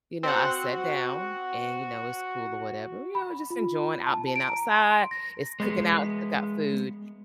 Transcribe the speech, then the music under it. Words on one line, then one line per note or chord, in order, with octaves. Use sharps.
you know, I sat down, and, you know, it's cool or whatever. You know, we're just enjoying out being outside, it's cooking out cook out food,
C4 F#4 F#5
B5
F4
A5
D7
A#5
C6
A#6
G#3 B3